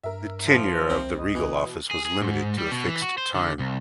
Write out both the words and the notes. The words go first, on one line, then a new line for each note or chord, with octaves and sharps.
The tenure of the regal office was limited to a fixed time.
G2 A#4 E5
F3
C2 C4
D#5
B2 E3
G#4
G#4
G#2
G3
B2
E3
F#4
C5
D3
C2